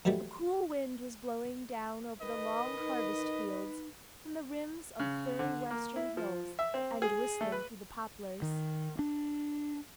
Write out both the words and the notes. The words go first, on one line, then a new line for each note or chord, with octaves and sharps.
A cool wind was blowing down over the long harvest fields from the rims of firry western hills and whistling through the poplars.
G#2 E3 F#3 G3 A3
D#3 B4 D#5
D#4
C#3
D3
A#3
E4
F3
E5
C4
G#4
A3
B4
D#3
D4